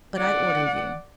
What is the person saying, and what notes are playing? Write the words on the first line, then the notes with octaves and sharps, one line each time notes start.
But I order you.
D5 F#5